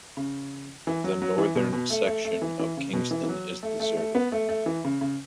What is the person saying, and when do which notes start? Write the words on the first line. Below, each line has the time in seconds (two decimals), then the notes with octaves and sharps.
The northern section of Kingston is deserted.
0.17 C#3
0.87 E3
1.04 F#3
1.22 F#3
1.38 E3
1.55 B2
1.73 B2
1.90 A3
2.07 A3
2.25 A3
2.42 E3
2.59 E3
2.77 C#3
2.93 B2
3.11 E3
3.23 E3
3.29 F#3
3.63 A3
3.80 A3
3.97 A3
4.15 B3
4.32 A3
4.49 A3
4.66 E3
4.84 C#3
5.01 C#3